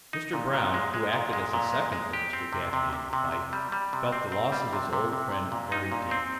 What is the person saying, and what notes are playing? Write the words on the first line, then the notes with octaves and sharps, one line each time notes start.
Mr. Brown, who acted as a second for Mr. Gafney in the fight, felt the loss of his old friend very deeply.
D#4
A#2
A#2
G#3
G#3
A#2
G#3
A#2
G#3
G#3
G4
C4
C3
C3
C3
C3
C3
G3
G3
C3
C4
C4
G3
C3
C3
C3
C3
A#2
D#4
A#2
C4